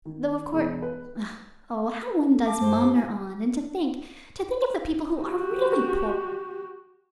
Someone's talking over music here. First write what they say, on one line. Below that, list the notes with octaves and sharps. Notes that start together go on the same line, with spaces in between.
Though of course--Oh, how one does maunder on, and to think, to think of the people who are really poor.
D#3
E1
B4
A4
A5 D6
G2 C5
G4
E4 G#5
F#4 G4